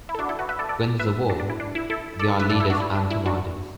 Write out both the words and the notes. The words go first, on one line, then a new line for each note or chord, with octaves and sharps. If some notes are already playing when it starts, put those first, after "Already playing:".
When there’s a war, they are leaders and commanders.
E4
A4
D4 F#4
E4 A4
F#4 B4
B4 E5
A4 D5
A4 D5
B4 E5
D4 F#4
D4
E4
D4
E4
E4 A4
A4 D5
B4 E5
A4 D5
E4 A4
D4 F#4
E4
D4
E4
D4 F#4